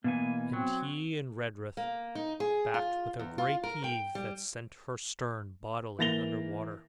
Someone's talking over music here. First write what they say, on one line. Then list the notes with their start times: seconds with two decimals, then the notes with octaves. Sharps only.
And he and Redruth backed with a great heave that sent her stern bodily under water.
0.04 B2 E3 A#3 B3 G#5
0.53 F#3 C4
1.77 A#3
2.15 D#4
2.40 G#4
2.74 F4
3.19 E2
3.38 F4
3.63 A#4
3.84 G5
4.15 G3
5.99 E3 A#3 A6 A#6 F7 G7